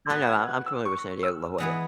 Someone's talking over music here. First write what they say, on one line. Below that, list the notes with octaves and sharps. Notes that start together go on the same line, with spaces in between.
I know. I I'm familiar with San Diego, La Jolla.
B3 F#4 B4
G#6
F#6
E6
C#6
E6
E3 G#3 B3 G#4 B4 C#7